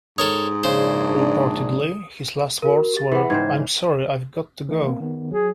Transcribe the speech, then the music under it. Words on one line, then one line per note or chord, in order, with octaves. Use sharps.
Reportedly his last words were, I'm sorry, I've got to go.
G#2 A4 A#4 C#5 D#6
A#1 C#3 D4 C5
F#4 A#4
G4 A6
E3 B3 G#4
G#2 C#3 C5 G5 G#6
E3 A3 D#5
A#3 C4
D#3 B3
F#3 G#4